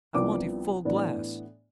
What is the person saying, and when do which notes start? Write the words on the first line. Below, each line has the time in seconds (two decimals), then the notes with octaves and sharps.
"I want a full glass."
0.14 C2 C3 F3 B3 D4 D6
0.85 A2 E3 B3 D4